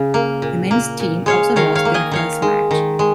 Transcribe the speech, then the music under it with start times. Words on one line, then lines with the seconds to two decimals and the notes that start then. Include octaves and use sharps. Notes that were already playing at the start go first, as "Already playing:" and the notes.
The men's team also lost their first match.
Already playing: C#3
0.14 A#3
0.42 A#2
0.71 A#3
1.00 A#2
1.26 G#3 C#5 F5
1.56 D#3 C#5 F5
1.75 C#5 F5
1.85 A#3
1.94 D#5 G#5
2.11 D#3 C#5 F5
2.42 G#3
2.71 D#3
2.99 G#3